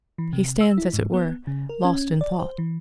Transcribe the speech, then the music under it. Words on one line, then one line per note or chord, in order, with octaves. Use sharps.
He stands, as it were, lost in thought.
E3
C3
E6
E4
G#2
B3
C#3
A#4
C#4
D5
C5
E3